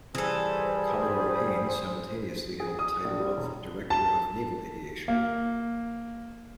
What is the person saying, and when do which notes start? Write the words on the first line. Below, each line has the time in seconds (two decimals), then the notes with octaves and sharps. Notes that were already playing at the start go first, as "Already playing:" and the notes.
Commodore Paine simultaneously held the title of Director of Naval Aviation.
0.15 E3 G3 G#4 A4 C5
2.60 G#4
2.79 D#6
3.04 A#1
3.20 G3
3.37 E1
3.90 A5
5.08 A#3